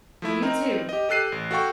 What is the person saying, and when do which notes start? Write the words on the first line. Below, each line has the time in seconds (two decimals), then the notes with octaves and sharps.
You, too.
0.22 F3 A3 E4
0.42 C4 D#4 A#4
0.89 G4 D#5
1.09 G4 A4 F#6 C7 D#7
1.32 A1
1.51 F#4 A4 F5 G5 C#6